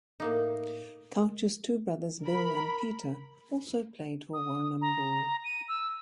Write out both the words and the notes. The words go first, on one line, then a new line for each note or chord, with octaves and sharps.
Couch's two brothers, Bill and Peter, also played for Warrnambool.
A2 A#3 D#4
A#4 B5
D#6
A#5
D#7
E6